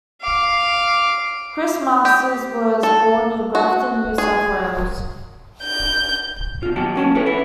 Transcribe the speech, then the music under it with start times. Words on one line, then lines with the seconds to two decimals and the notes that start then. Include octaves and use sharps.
Chris Masters was born in Grafton, New South Wales.
0.21 F5 D6
2.05 G4
2.83 A4
3.55 F#4
4.18 G#4
5.63 G6
6.63 B2 F4
6.76 D#2 B2 F#3 G4 A5
6.95 A#3 C#4 A5
7.15 B3 C#4 E4 A4 B4
7.26 E4 B4